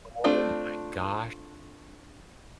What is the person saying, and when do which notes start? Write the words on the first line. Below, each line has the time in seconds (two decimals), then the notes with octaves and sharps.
Oh, my gosh.
0.24 A3 C4 D4 F4 C5